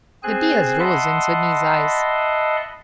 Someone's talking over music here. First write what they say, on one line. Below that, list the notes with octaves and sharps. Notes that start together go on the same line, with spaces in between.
The tears rose in Sydney's eyes.
C4 G#4 C5 G#5 F#6
D#5 E5 F#5 A5 B5 C6